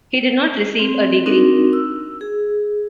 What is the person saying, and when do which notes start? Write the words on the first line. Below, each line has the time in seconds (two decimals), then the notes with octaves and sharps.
He did not receive a degree.
0.79 C4
1.26 C4 D4 D#4 F#4 A#4
1.73 E6
2.21 G#4